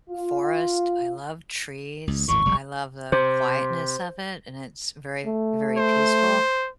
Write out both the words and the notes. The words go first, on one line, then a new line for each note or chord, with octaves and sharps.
forest, I love trees, I love the quietness of it, and it's very, very peaceful,
F4
C#2
G#1 E2 A#2 C#6
F1 B1 G3
C3 C5
A3
C5